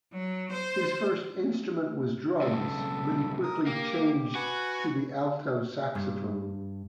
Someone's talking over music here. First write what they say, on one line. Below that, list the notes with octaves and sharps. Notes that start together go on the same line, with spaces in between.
His first instrument was drums, but he quickly changed to the alto saxophone.
F#3
C5
B1 C#3 A4
A#4 D#6
A#3 G4
F#4 B4 G#5 F#6
G2